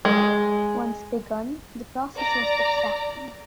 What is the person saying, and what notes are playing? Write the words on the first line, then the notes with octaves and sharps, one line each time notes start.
Once begun, the process was exacting.
G#3
D5 A#5